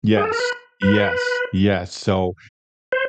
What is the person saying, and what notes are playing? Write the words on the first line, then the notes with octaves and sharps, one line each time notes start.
yes, yes, yes, so,
G#4
A4
A#4
B4
B4
C5